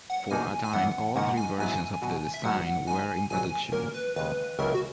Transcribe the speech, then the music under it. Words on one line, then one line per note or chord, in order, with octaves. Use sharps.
For a time, all three versions of the design were in production.
F#5
B2 A#3 D#4 F#4 G#5
G#5
F#2 E3 B3 F#5
G#2 D#3 A#3 F#5
G#5
G#2 F#3 B3 E4 G#5
B2 F#3 B3 F#4
E5
G#1 G#2 F#3 A#3 F#5
G#2 F#3 B3 D#4 F#4 G#5
A#1 G#2 F#3 G#5
A#2 A#3 C#4 F#4 A#4
B4
D#2 C#3 G#3 B4
C#2 C#3 F#3 A#3 E4 A#4
F#4